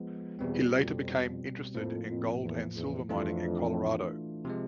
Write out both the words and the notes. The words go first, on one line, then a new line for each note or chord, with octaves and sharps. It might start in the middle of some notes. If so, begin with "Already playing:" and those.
He later became interested in gold and silver mining in Colorado.
Already playing: F3 G#3 B3
E2 B2 G3 C4
F2
F2 A2 F3 A#3
F2
E2
E2
F2 E3 A3 D4 F4
C3 F3 G#3